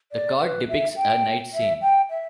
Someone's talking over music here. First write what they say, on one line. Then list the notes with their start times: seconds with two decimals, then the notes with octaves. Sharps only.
The card depicts a night scene.
0.12 D5
0.41 B4
0.68 E5
0.97 G5
1.53 E5
1.82 G5
2.09 E5